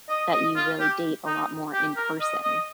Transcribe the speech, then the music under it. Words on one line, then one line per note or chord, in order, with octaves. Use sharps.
that you really date a lot more in person?
D#5
D#5
F4
G4
D#4
G4
A#4
D#5
D#5